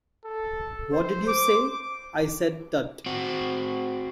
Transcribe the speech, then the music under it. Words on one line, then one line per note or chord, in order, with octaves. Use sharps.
What did you say? I said 'Tut!'
A4
C5
D6
C4 F#4